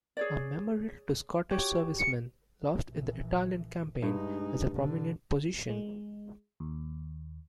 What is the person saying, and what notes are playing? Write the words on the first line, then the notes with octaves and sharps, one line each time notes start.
A memorial to Scottish servicemen lost in the Italian campaign has a prominent position.
G#4 C#5 D5
F#4 G4 C#5
C#7
A#1 E3
G2 G#3 D#4
B2 D3
G#3
D#2